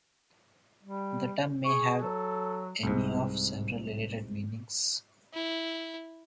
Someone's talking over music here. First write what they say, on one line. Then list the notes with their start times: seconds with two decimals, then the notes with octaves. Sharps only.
The term may have any of several related meanings.
0.83 G3
1.65 G#4 C#6
2.02 F#3 A4
2.83 C2 G#2
5.34 E4